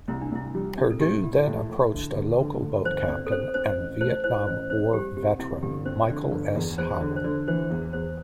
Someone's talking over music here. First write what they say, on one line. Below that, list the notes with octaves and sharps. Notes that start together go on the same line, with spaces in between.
Perdue then approached a local boat captain and Vietnam War veteran, Michael S. Howell.
C2 E4
D4
C2 E4
G3
C3
A4
A2 G4
E4
A2
A2
D3
D2
D3
D2
G1 C5
C4 D5
A4
C4 C5
C4 C5
A1
A3 C5
E4 C5
A1 C5
C4 C5
G3 G4
C3 G4
C3 E4
G1 G4
C4 C5
D3 D5
G1
E2 D5
E2 C5
D3 D5
C5
D3 D5
E3 C5
E2
E2 C5